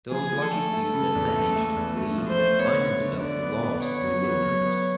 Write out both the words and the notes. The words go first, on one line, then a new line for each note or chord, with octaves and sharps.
Those lucky few that manage to flee find themselves lost in the wilderness.
F3 G#4
F3
A4
A3
A3
C#3
E2
A3
A3
E2
A3
F3
C5
A3
B3 C#5
D3
D3
D3 D5
B3
B3
B3 C#5
F#3
B3
F#3
B3